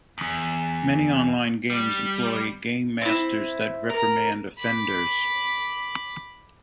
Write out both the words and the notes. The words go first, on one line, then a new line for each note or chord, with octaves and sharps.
Many online games employ gamemasters that reprimand offenders.
E2
G3
C4 E4
A#4
B5 D6